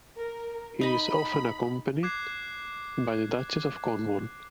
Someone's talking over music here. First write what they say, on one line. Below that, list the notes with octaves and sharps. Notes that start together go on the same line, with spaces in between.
He is often accompanied by the Duchess of Cornwall.
A#4
D#4 D#5 B5
D6 F#6 G#6 C7